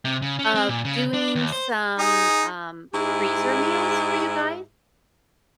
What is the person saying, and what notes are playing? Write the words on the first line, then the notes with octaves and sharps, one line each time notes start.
of doing some, um, freezer meals for you guys?
C3
C#3
C#4
C4
A#2
C#3
D4
D#2
C5
D#4 G#4
G#2 G#3 E4 G4